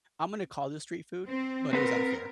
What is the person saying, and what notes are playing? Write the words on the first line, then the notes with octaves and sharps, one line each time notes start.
I'm gonna call this street food, but it was at a fair.
C4
C4 A#4 B4